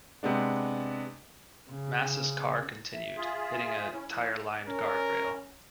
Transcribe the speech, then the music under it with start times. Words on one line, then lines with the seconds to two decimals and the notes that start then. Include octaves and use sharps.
Mass's car continued, hitting a tyre-lined guardrail.
0.23 C3 G#3 B3 D4
1.70 C#3
2.93 E5
3.16 F4 G#4
3.92 C#4 E4
4.12 F3
4.67 C#4 A#4